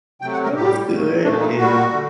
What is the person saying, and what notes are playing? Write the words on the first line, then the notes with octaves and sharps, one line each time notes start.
It was good. And,
C3 F#3 A3 G5
F#5
A#4
A2 G3 G4
A#2 F#3 A3
A#2 A3 D4
D#4
A#2 G3 F#4
D3 A3